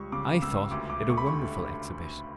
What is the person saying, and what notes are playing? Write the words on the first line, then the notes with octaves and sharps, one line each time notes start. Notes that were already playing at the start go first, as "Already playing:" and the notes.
I thought it a wonderful exhibition.
Already playing: C#2 G3 C#6
C#3 D6
C#2 E6
D2 D6
D6
A3
C#6
B5
D3 C#6